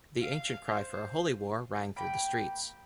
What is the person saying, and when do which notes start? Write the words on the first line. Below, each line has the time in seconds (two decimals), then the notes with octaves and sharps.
The ancient cry for a Holy War rang through the streets.
0.22 F5
0.66 C5
1.96 A#3 G5 B5 G6